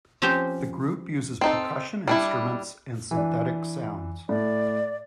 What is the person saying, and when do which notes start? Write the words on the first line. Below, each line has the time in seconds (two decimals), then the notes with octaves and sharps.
The group uses percussion instruments and synthetic sounds.
0.22 F3 C4 C#4 G4 C5
1.41 C4 D#4 A4
2.08 G3 D4 E4
3.11 E3 D4
4.29 A2 D5